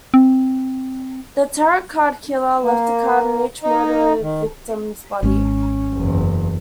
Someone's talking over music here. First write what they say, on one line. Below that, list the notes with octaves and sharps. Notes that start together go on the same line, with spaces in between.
The Tarot Card Killer left a card on each murder victim's body.
C4
A#3
D#4
D#3
G#1 G#3 C#4
F#1 E2